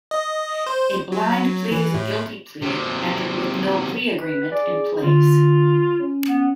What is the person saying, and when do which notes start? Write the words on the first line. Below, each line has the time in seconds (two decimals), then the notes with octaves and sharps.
A "blind plea" is a guilty plea entered with no plea agreement in place.
0.11 D#5
0.66 C5
1.12 F#3
1.72 E3
1.94 A2
2.62 C3 F#3
4.22 B4
4.51 G#4 D5
5.04 D3 F4
5.99 C#4
6.29 B3